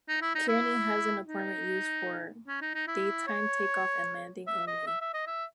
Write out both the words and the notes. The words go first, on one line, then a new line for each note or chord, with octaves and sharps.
Kearny has an airport used for daytime take off and landing only.
D#4
E4
D#4
E4
D#4
C#4
D#4
D#4
E4
C#5
E5
D#5
E5
E5
D#5
E5